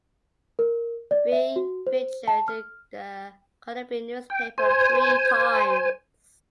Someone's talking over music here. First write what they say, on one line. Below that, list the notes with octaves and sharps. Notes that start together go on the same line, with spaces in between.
Being featured In the Colombian newspaper three times.
A#4
D5
E5
F#4
C5
A5
F6
G5
C5 G#5